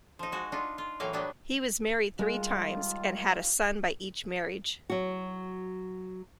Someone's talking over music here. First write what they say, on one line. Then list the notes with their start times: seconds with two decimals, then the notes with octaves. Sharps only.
He was married three times and had a son by each marriage.
0.19 F3 D#4
0.32 G#3 F#4
0.52 D4 D#4 F4
0.78 F4
1.00 A2 E3 F#3 A#3 F5
1.13 F#3 G3 B3 D4
2.19 D#2 D#3 G3 G#3 F4
4.90 F#3 F#4